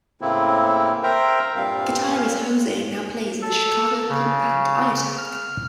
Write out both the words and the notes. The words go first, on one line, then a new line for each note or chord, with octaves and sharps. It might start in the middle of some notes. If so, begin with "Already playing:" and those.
Guitarist Jose now plays in the Chicago punk band I Attack.
A2 C#3 A#3 C4 E4
A#4 C5 E5 G5 A#5
G2 A#2 G3 C4 F5
A4
C#3
F6